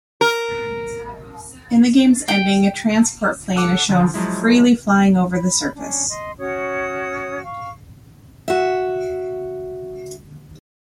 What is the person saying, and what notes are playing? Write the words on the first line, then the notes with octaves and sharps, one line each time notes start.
In the game's ending, a transport plane is shown, freely flying over the surface.
A#4
G5
A4 F#5 D6 C#7
D3 F3
F3 F#3 G#3 E4
B5
C#4 D4
D#5 C6
C#4 F#4 C#5 D#6
F5 C#6
F#4 E5